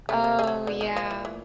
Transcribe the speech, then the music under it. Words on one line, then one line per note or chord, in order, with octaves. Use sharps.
Oh, yeah.
C3 A3
A3
G#3
F3
F#3
B2 D3
D#3
A#2 F3
E3
E3